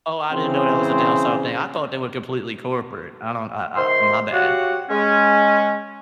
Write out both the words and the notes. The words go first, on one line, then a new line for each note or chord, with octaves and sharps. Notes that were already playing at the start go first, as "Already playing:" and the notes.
Oh, I didn't know that was a down south thing, I thought they were completely corporate. I don't I I my bad.
C#3 E3 C4 C5
C3 D#3 C5 C6
F#4 G4 C#5 F5 F#5
G#3 C#4